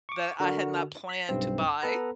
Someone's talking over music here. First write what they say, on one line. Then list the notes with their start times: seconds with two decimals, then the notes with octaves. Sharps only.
that I had not planned to buy,
0.09 C#6 D6
0.40 D3 F#4 A#4
1.09 B6
1.29 B1 G2 C4
1.82 B3 A4 B4 A#5